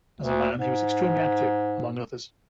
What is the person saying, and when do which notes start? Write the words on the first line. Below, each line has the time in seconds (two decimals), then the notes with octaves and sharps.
As a man he was extremely active, among others.
0.21 D2
0.57 G#2